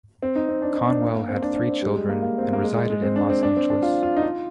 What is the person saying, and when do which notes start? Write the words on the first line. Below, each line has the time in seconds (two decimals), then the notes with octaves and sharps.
Conwell had three children and resided in Los Angeles.
0.23 C4
0.36 D#4
0.49 C4
0.62 D4
0.75 D#4
0.88 D4
1.02 A#3
1.15 A#3
1.29 C4
1.42 D4
1.56 D4
1.69 C4
1.82 G3
1.96 G#3
2.09 A#3
2.22 A#3
2.38 C4
2.43 A#3
2.53 A#3
2.63 G#3
2.76 G#3
2.90 G#3
3.03 C4
3.16 D4
3.30 C4
3.43 D4
3.57 C4
3.70 D4
3.82 F4
4.03 F4
4.17 D#4
4.23 F4